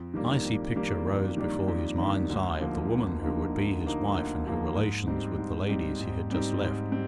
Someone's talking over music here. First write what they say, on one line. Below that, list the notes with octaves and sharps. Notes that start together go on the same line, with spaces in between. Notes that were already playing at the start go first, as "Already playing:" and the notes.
An icy picture rose before his mind's eye of the woman who would be his wife in her relations with the ladies he had just left.
Already playing: F2
D#3 G3 A#3 D4
F2
D#3 G3 A#3 D4
F2
D#3 G3 A#3 D4
F2
D#3 G3 A#3 D4
D2
D3 F3 A#3 D#4
D2
D3 F3 A#3 D#4
D2
D3 F3 A#3 D#4
D2
D3 F3 A#3 D#4
G#2
G3 C4 D#4
G#2
G3 C4 D#4
G#2
G3 C4 D#4
G#2
G3 C4